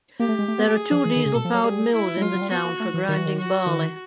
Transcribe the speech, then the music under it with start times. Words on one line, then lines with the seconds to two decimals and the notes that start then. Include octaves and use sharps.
There are two diesel-powered mills in the town for grinding barley.
0.20 A#3 G4
0.29 A3
0.39 G#3
0.48 A3
0.58 B3
0.68 A3
0.77 G#4
0.91 F3
1.05 E3
1.16 D#3
1.26 C#3
1.35 B2 A4
1.45 F3
1.54 F#3
1.64 G3 G#4
1.93 E4
2.17 G3
2.21 G#3 F4
2.35 F#3
2.42 G3
2.50 B3 F#4
2.65 A#3
2.80 A3
2.94 E3
3.09 D#3 F#4
3.17 E3
3.26 D#3
3.38 F#4
3.66 D#3